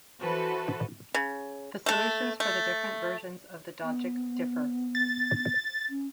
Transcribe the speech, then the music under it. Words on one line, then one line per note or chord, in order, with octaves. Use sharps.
The solutions for the different versions of the Dogic differ.
E3 F#4 A4 B4 C5
C#3
A3 A4
A3
B3
A6
C#4